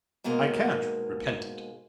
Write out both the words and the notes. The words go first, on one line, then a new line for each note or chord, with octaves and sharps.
I can't repent it.
G#2 B2 G#3 A#3